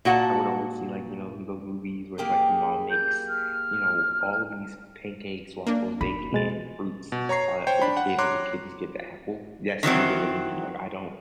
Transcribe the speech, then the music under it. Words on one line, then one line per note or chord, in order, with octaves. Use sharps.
I would always see, like, you know, in those movies where, like, the mom makes, you know, all of these pancakes, waffles, bacon, fruits, all that for the kid, and the kid just get the apple. That's literally me, like, I don't
A#2 F#4 F#5 A5
A#3 G4 G#4
G6
F6
A#3 D4
D#4 B5
B2 G#3 A6
B2
C#5 A#5 C#6 C7
C5 C#5 G5
D4 B5
F#5
C#5 A#5 C6 D6 F#6
D#3 E3 F#3 C4